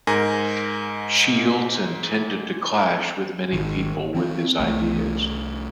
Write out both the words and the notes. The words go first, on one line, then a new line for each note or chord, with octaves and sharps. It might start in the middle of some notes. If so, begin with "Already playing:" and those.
Shields and tended to clash with many people with his ideas.
G#2 A#4 G#5 A#6
G#1 D#3
E3 C4
C2 A3